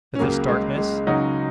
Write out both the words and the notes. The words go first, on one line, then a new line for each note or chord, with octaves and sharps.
"But this darkness?"
C#4
C#2 C#3 F#3 A#3
G#3
G#3
C#3 F#3 D#4 F#4